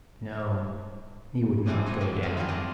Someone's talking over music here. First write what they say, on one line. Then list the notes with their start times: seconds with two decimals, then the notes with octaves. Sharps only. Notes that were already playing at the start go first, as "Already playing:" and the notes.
No, he would not go down.
1.66 E3 F3 G3 C4 D4 G#4
1.86 F#4 C5 C#5 D#5
2.01 D3 F3 F#3 A#3 B3
2.23 G#3 A3 C4 F4 A4 A#4
2.37 D#3 E3 A3 G#4 A#4
2.48 B3 C4 D5 D#5 F5